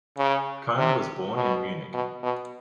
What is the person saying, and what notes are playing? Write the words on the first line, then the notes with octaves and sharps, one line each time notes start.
Kohn was born in Munich.
C#3
C3
B2
B2
B2